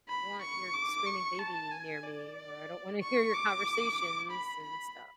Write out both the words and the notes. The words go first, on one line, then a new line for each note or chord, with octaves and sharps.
want your screaming baby near me," or, "I don't wanna hear your conversations and stuff."
B5
C#6
D6
C#6
A5
G#5
D5
C#6
D6
B5
B5